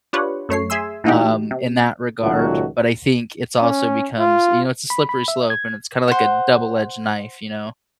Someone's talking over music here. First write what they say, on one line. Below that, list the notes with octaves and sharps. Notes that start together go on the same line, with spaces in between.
um, in that regard. But I think it's also becomes, you know, it's a slippery slope, and it's kinda like a double edged knife. You know?
D4 F4 G4 B4 C#5 F#5
F#2 A3 C#5 C7
G#4 E5 G#5 C6 E6
A2 E3 A#3 D#4 F#4 G4
C3
C#2 A#2 D#3 F#3 A3 F#4
C#4
F4
B5
B5
E5
G#6
C5 F#5